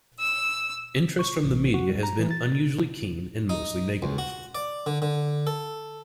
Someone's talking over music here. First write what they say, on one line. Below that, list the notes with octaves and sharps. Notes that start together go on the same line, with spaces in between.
Interest from the media has been unusually keen, and mostly negative.
E6
C#6
A1
F#4
G3
A#5
E3
A6
D#4
C#2
F#4
D5
D3
D3
A4